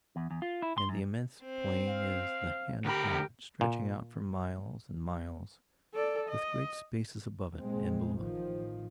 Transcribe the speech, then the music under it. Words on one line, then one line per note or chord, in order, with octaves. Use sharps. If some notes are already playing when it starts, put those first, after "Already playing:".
And the immense plain is the hand of God, stretching out for miles and miles, with great spaces above it and below it.
E2
E2
F4
E4
C6
F#2
C4
F5
D2 G4 A#4 B5
A#2
A4 D5
D#5
A#2 G#3 C4
A1 D#3 F3